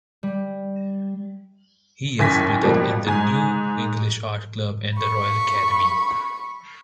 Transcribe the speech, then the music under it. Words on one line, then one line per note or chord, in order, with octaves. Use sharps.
He exhibited in the New English Art Club and the Royal Academy.
G3
F#1 D#2 E4 G#5 A#6 B6
B2 F3 G3 A#3
G#2 G#5
B5 C#6